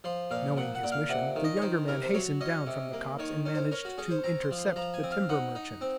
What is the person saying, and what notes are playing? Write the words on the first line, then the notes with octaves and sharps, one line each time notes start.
Knowing his mission, the younger man hastened down from the copse and managed to intercept the timber-merchant.
F3 C6
A#2 F5
A#2 F#5
F#5
A#2
F5
C3 F#5
D#3
D#5
C#5
D#3 C5
C3 A#4
C5
F#3 C#5
C#4 D#5
C3
A#3
D#3 C#5
C#4
C5
C#4 A#4
F#4
C#4 G#4
C5
C4 A#5
C6
F3
C6
F3 A#5
G#5
C4
F5
D#4 F#5
D#4
C4